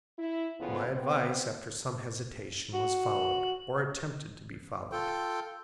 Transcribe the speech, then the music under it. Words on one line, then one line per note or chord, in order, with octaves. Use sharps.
My advice, after some hesitation, was followed or attempted to be followed.
E4
F2 C#3 B3 F4
B3 C4
F#4
F4 A4 G5